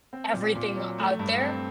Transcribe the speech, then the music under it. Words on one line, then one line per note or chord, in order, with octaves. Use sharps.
everything out there.
C4
A#2
A#2
F#3
A3
G2
C4